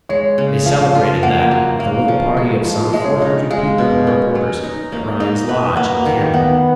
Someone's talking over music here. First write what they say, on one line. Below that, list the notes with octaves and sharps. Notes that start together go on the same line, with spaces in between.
They celebrated that, with a little party of some four hundred people and reporters at Ryan's lodge in Canada.
G#3 C#5
C#3
F3 F5
F4
A#3 F#5
F#3
A#3 F5
F3
G#3
F3
G#3 D#5
C#5
D#5
D#4
G#3 F5
B2
C#4
F#3
D#4
A#3
D#4
B4
A#3 F#5
D#3
B3 F#5